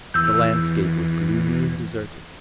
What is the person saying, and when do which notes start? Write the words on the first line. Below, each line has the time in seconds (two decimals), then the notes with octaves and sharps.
The landscape was gloomy and deserted.
0.14 E2 E6 G6